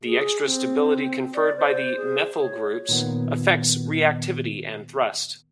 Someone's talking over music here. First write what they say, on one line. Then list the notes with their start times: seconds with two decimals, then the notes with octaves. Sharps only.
The extra stability conferred by the methyl groups affects reactivity and thrust.
0.04 G#4
0.45 C4
1.34 D5
1.57 C5
1.97 G#4
2.39 C#5
2.89 A#2 D#3 B3